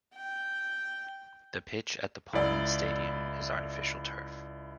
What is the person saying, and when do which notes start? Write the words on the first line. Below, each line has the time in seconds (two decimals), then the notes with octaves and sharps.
The pitch at the Polman Stadion is artificial turf.
0.15 G5
2.33 C#2 E4 D5